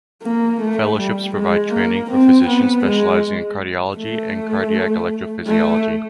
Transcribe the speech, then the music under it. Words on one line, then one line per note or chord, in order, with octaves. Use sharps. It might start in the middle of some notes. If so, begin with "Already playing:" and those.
Fellowships provide training for physicians specializing in cardiology and cardiac electrophysiology.
A#3
A3
G3
G#3
A#3
C4
B3
G#3
A3
A3